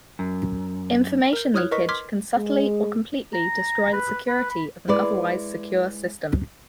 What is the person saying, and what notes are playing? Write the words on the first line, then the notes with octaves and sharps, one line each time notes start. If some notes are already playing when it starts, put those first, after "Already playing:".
Information leakage can subtly or completely destroy the security of an otherwise secure system.
F#2
A#4 G6
E4 C#5 D#6 F6 F#6 G#6
A#4 B4 D#5 C#6 B6
C6 D6 F6 G#6 B6
G#3
A#5
B4
B4
B5
G#3 E4 B4 D5